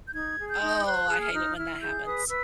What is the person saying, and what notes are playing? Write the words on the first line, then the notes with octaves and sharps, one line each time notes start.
Oh, I hate it when that happens.
G6
D#4 G#6
G#4
G6
D#4
C5 F#6
G#4
F6
D#4
E4 F6
G#4 G6
B4 D#6
B4 E6